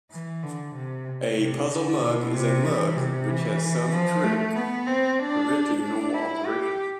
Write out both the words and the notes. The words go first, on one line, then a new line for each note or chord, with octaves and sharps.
A puzzle mug is a mug which has some trick preventing normal operation.
E3
D3
C3
C3
D3
B2
C3
E3
C3
E3
F3
A3
B3
C4
D4
D4
E4
G4